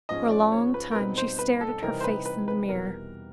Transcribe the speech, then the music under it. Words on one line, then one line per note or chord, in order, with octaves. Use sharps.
For a long time she stared at her face in the mirror.
G#2 F3 G#3 C#4 D#5
D5
C#5
B4
A#4
B2 G3 C4 D#4 B4
C5
B4
A4
C3 E3 G3 C4 D#4 A#4
C5
B4
B4
B4
E2 B2 G3 A#4